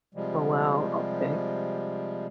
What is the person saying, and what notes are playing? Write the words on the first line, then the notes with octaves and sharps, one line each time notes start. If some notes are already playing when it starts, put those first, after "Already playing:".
Oh, wow, okay.
C3 F3 G3 G#3